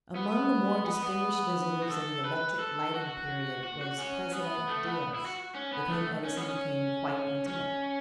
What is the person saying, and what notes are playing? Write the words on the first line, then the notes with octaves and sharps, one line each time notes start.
Among the more distinguished visitors of the electric-lighting period was President Diaz, with whom Edison became quite intimate.
B3
B3
B3
F#4
A4
B4
A4
F#4
F#4
F#4
C#4
B3
A3
B3
E4
F#4
C#4
B3
A3
C#4
B3
C#4
C#4